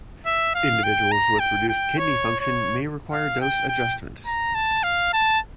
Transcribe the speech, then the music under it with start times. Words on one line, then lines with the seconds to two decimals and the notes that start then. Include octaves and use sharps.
Individuals with reduced kidney function may require dose adjustments.
0.26 E5
0.55 F5
0.84 G5
1.12 A#5
1.40 G5
1.69 G5
1.98 C#5
2.40 C#5
3.12 F5
3.41 G5
3.69 G5
4.26 A#5
4.55 A5
4.83 F5
5.13 A5